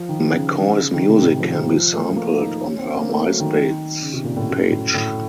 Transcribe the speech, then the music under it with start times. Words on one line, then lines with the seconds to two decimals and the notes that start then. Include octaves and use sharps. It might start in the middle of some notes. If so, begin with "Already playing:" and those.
McCoy's music can be sampled on her MySpace page.
Already playing: F3
0.09 D#3
0.33 C#3
0.55 D#3
0.78 C#3
0.94 D#3
1.09 C3
1.24 A2
1.40 F3
1.55 D#3
1.70 F3
1.93 A3
2.16 A#3
2.40 D#4
2.63 C#4
2.78 C4
2.94 A#3
3.09 A3
3.25 F#3
3.40 D#3
4.02 C#3
4.13 C3
4.24 A#2
4.37 A2
4.48 F#2
4.71 A2
4.94 A2